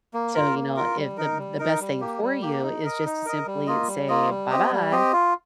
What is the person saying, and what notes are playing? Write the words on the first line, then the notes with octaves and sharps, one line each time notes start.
So, you know, if the the best thing for you is just to simply say, "Bye-bye."
A#3
F4 A#4
A#3
F4 A#4
G3
D#4 A#4
G3
D#4 A#4
G3
A#3 G4
G3
A#3 G4
D#4
A#4 D#5
D#4
A#4 D#5
G3
A#3 F4 D#5
G3
A#3 F4 D#5
G3
C4 G4 D#5
G3
C4 G4 D#5
F4